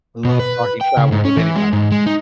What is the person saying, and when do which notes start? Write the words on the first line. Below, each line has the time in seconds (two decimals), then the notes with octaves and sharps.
I love talking travel with anybody.
0.25 B2
0.39 B4
0.81 G5
0.97 C#3
1.12 G#2
1.25 C#4
1.37 E3
1.56 G#3
1.73 G#2
1.92 G#3
2.06 D#4